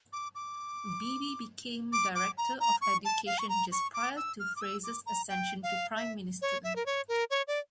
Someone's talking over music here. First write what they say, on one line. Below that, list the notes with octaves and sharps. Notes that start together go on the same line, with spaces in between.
Beeby became Director of Education just prior to Fraser's ascension to Prime Minister.
D6
D6
D6
D6
A#5
A#5
C#6
A5
F5
C#6
A#5
C#6
D6
E6
F6
D6
E6
D6
A#5
G5
F5
E5
C#5
E5
A#4
C#5
A#4
C#5
D5